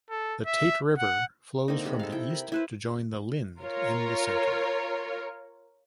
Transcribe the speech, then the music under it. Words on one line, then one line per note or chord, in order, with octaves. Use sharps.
The "Tate River" flows from the east to join the "Lynd" in the centre.
A4
E5
F#5
D3 A#3 C4 D#4
C3 G#3 B5
A4 F5
E4 G5
A#4 B5
E4 B4 C5
F4 A#4 C#5